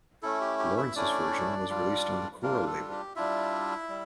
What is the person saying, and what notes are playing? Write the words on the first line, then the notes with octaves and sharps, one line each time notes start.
Lawrence's version was released on the Coral label.
A3 C#4 E4 A4
G4
G4
E4 E5
A3 C#4 D4 E4 D5
G3 D4 F4
G3 A#3 D4 F4 A#4
A4
G4
G3 D4 E4 F4 E5
G3